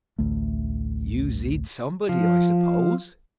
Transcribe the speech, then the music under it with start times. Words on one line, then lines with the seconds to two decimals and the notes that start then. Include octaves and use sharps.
"You zid somebody, I suppose?"
0.18 A1 D2 A3
2.09 F3